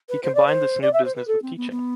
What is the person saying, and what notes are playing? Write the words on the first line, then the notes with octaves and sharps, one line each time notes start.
He combined this new business with teaching.
B4
C5
D5
C5
D5
E5
C5
B4
A4
C4
B3
B3